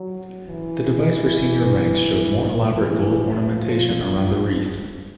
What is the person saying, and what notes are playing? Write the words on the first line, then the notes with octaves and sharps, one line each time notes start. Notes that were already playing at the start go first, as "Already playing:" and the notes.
The device for senior ranks showed more elaborate gold ornamentation around the wreath.
Already playing: F#3
E3
E3
F3